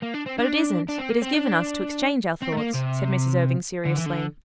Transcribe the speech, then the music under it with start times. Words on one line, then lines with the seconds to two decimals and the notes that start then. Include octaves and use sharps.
"But it isn't--it is given us to exchange our thoughts," said Mrs. Irving seriously.
0.03 A#3
0.14 D4
0.27 C4
0.39 D4
0.89 D4
0.98 C4
1.10 A#3
1.22 C4
1.34 D4
2.42 C4
2.53 A3
2.58 A#3
2.75 C3
3.86 D3
3.97 E3
4.06 D3